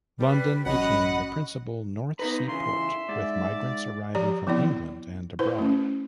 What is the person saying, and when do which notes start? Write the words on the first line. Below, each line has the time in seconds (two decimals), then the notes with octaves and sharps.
London became the principal North Sea port, with migrants arriving from England and abroad.
0.20 G3 B4
0.66 A1 F#3 C#4 F#4 D#5 F#5 B5
2.19 B3 D#4 B4 A#5
2.48 C#3 E3 E5 C6
3.09 G#2 D5
4.15 F3 G4 D5 A#5
4.47 F3 B3 C4 E4 D5
5.39 E4 B4 C5
5.59 A3 C#4